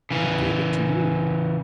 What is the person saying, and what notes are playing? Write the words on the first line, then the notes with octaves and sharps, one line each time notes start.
Who gave it to you?
C#3 E3